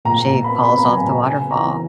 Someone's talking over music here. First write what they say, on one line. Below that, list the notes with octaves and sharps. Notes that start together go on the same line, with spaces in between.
she falls off the waterfall.
A#2 A#5
A#2 A#5
B3 B5
B3 B5
A#5
F#3
G#5
A#2 A#5
C#3 G#5
B3
A#5
E3